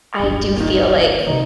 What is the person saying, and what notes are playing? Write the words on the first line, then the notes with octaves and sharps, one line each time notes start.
I do feel like,
D1 G1 D4
A#2 D#3
C3 D#3 D#4